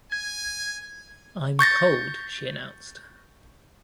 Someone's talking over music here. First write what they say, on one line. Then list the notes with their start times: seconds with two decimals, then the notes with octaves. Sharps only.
"I'm cold," she announced.
0.12 G#5 G#6
1.59 C#6 G6 A6 A#6